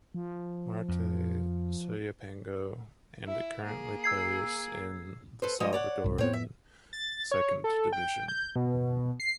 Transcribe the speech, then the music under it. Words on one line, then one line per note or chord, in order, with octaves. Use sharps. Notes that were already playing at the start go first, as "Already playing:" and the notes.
Marte Soyapango and it currently plays in the Salvadoran Second Division.
F3
F2
E4 E5
A#3 G#4
E6 G#6 C7
A4 B4 C5
F3 G#3 D#5
C#5 D5 F#5
C2 G#2
A2 B3 C4 C#5
E5
A6
C#5
A4
G5
G6
B2
C7